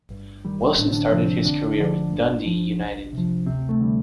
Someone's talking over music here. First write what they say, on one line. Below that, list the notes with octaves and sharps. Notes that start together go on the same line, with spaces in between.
Wilson started his career with Dundee United.
G2
D#3 G3
A2 D4
C4
D3 D4
C3 F3 C4
F2 D3 D4
D3 F3
G2
F3
C2
C3 F3
D2 C3 C4
A3
D3 G3